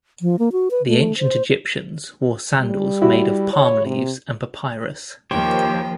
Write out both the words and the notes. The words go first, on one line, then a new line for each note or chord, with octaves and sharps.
The ancient Egyptians wore sandals made of palm-leaves and papyrus.
F3
A#3
F#4
B4
A3
C5
G3
E4 F#4
C#5
C3
D#2 F3 G4 C5 C#5 G5